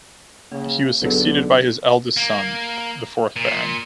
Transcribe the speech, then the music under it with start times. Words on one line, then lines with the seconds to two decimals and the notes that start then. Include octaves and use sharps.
He was succeeded by his eldest son, the fourth Baron.
0.52 C#3 A#3
1.02 B1 D3 G#4 A4 B4
2.17 A#3
3.36 A#2